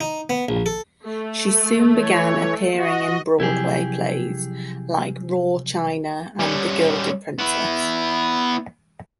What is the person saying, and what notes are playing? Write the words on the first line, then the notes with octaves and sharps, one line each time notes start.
She soon began appearing in Broadway plays like "Roar China" and "The Gilded Princess".
D#4
B3
A#1
A4
A3
E3 C#5
F#4 D#5
C3 F3 F#3 E4 G4 G#4
G3 C#4
B3 E4